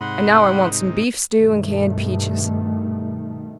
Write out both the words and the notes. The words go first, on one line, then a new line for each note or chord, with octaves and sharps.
And now I want some beef stew and canned peaches.
G#2 C3 D#4 F#5 B5 C6
G2 B2 D#3 A3